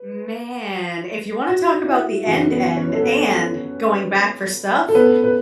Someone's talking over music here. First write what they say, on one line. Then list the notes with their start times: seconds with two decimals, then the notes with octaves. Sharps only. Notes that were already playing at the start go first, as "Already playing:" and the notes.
Man, if you wanna talk about the end end and going back for stuff,
Already playing: B4
1.49 F#4
1.87 E4
2.25 F#2 C#3 E3 F#4
2.51 B3 B4
2.76 C#4 C#5
2.95 A4
3.02 B3 B4
4.89 A4
4.95 B3 B4
5.24 B4